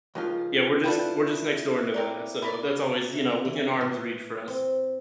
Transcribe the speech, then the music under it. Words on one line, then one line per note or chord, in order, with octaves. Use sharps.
Yeah, we're just we're just next door in Nevada, so that's always, you know, within arm's reach for us.
C#2 D#3 F3 F4
D4 E4 F4 A4 B4 G5
C4 A#4 D5
E4 A#4 D5
E5
E3
A2
C4